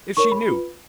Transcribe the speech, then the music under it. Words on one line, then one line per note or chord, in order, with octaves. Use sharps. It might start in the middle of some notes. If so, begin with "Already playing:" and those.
If she knew!
D#4 A#4 C#5 C#6
B5
F4 B4